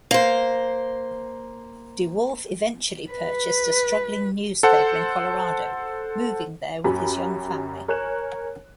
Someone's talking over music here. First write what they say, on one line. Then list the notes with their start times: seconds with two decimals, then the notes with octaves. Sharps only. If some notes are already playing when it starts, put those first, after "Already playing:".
DeWolfe eventually purchased a struggling newspaper in Colorado, moving there with his young family.
0.11 A#3 C5
3.11 B4
4.63 A4 C5 F#5
6.84 F#2 F#4 G4 G#5 A#5 B5
7.88 A#4 C#5 G#5 F#6 E7